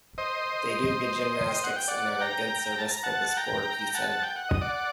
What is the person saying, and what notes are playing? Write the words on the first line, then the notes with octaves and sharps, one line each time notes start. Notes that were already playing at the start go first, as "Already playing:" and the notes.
"They do good gymnastics and are a good service for the sport," he said.
C5 D#5
F#5
G5
D5 F#5
G5 A#5
A5
A#5
F#5 A5
G5 A#5
F#5 A5
G5
F#5
D#5
D5 F#5